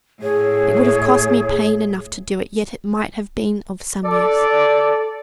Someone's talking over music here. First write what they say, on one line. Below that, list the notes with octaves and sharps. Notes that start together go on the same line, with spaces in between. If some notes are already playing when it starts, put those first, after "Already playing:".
It would have cost me pain enough to do it, yet it might have been of some use.
A2 G#4 C#5
A4 D5